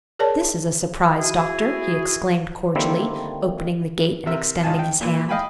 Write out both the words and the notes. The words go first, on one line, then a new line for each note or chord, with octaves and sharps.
"This is a surprise, Doctor," he exclaimed cordially, opening the gate and extending his hand.
G#4 A#4 C#5 D5 A5
E4 F#4 G#4
D3 D#3 G3 A#3 C4 E4
C3 A#4 E5
C#2 D#4 F4 G#5 A5
G5
A#2 E3
D#5 F5 G5 G#5 B5